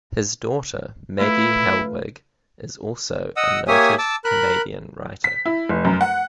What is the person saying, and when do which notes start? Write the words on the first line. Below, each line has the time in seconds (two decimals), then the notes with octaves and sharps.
His daughter, Maggie Helwig, is also a noted Canadian writer.
1.20 A3 E4 F4 B4
3.37 D#5 F#5 D#6 E6
3.68 A#3 G4 C#5 E5 G#5 D#6
3.98 A5 D6 E6
4.25 A#4 B5 F#6
5.24 B6
5.45 E4
5.69 F1
5.85 F#2
6.01 F#5